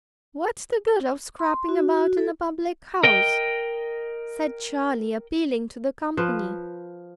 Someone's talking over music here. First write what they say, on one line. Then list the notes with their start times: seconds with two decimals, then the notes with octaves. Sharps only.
"What's the good of scrapping about in a public-house?" said Charlie, appealing to the company.
1.39 C6
1.69 F#4
1.97 F#4
2.18 A4
3.03 A#4 D#5 G5
6.17 F3 B4